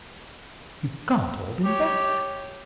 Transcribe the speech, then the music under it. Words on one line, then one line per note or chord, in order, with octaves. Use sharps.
You can't hold him back.
G4 C#5 G5